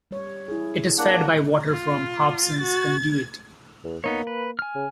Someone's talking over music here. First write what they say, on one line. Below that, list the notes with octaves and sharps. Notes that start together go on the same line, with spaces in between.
It is fed by water from Hobson's Conduit.
G3 C#5
E4 G#4
A#3 D4 F#5
F4
F#4
E2
A#3 B3 D#4 C#5
B4
G#5 F6
C#3